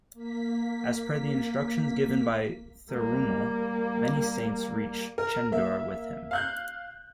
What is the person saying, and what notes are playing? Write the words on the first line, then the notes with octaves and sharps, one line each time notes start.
As per the instructions given by Thirumal, many saints reached Chendur with him.
A#3 B6
G3 A#3
A#4
A#3 E5
F5 F#6 G6